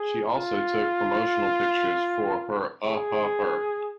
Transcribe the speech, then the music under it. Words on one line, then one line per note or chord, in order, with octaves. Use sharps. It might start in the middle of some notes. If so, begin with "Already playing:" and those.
She also took promotional pictures for Uh Huh Her.
Already playing: G#4
F4
G#4